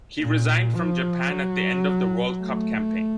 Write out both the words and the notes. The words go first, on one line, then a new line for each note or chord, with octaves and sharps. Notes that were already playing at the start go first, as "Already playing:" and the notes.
He resigned from Japan at the end of the World Cup campaign.
A#2
F3
F#3
A3